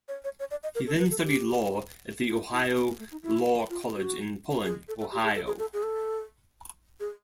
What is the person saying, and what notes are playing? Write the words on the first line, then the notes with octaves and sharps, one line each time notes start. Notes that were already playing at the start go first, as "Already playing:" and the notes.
He then studied law at the Ohio Law College in Poland, Ohio.
C#5
C#5
C#5
D5
D#5
A#4
A4
B4
A4
G4
F4
E4
B3
A#3
A3
D#4
E4
F4
F#4
G#4
A4
A4
G4
G#4
A4
G#4
A4
G#4
A4
G#4